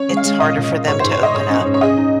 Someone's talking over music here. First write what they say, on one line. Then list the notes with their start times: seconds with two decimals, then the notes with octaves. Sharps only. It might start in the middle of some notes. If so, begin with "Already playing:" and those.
it's harder for them to open up.
Already playing: C#4 C#5
0.09 G#3
0.17 F5
0.25 G#3
0.40 A#2 D#5
0.56 A#2
0.72 A#2
0.87 G#2 C#5
1.00 G#2 C5
1.12 C#5
1.19 G#2 D#5
1.35 G#2 C#5
1.50 C#4
1.65 G#2
1.74 C#5
1.81 G#4 D#5
1.97 D#4